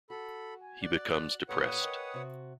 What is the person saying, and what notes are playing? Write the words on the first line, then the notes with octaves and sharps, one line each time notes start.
He becomes depressed.
F#4 A4 B5
G#5
D5 F#6
A#2 G4 A4 B4 C#5 F#5 D#6
A#4 D#5 G5
C3 F#4